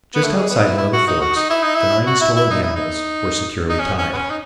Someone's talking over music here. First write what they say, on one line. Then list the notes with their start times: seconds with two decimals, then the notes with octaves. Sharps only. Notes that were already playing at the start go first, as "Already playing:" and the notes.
Just outside one of the forts, the nine stolen animals were securely tied.
0.14 B3
0.24 A3
0.35 G#3
0.49 B3
0.57 D#4
0.64 E4
0.78 E4
0.93 F#4
1.07 D#4
1.21 F#4
1.36 D#4
1.50 E4
1.63 D#4
1.75 E4
2.07 F#4
2.21 E4
2.36 E4
2.50 D#4
2.63 E4
2.76 D#4
3.69 D#4
3.79 C#4
3.98 C#4
4.13 B3
4.16 C#4
4.30 D#4